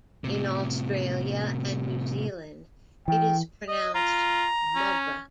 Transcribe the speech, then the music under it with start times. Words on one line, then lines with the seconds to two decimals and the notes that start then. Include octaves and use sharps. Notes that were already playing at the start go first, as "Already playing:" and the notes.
In Australia and New Zealand it is pronounced "MuhGrah".
0.24 A2 C3
3.08 E3 G5
3.68 D#5
3.94 F4 A#5
4.75 C#4